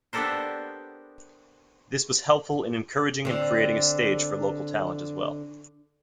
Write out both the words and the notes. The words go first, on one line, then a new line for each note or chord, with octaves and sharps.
This was helpful in encouraging and creating a stage for local talent, as well.
B3 D4 G4 A4 A#4 C5
D3 C4